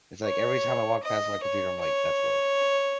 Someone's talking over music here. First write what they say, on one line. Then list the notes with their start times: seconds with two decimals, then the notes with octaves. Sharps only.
it's, like, every time I walk past my computer, I'm like, "That's work."
0.24 C#5
1.03 D#5
1.42 C#5
1.81 C#5